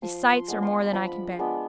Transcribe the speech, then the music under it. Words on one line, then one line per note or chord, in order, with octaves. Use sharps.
These sights are more than I can bear.
F3 C6
C6
G#3 B3 D4
C6
F3 B5
G#3 B3 D4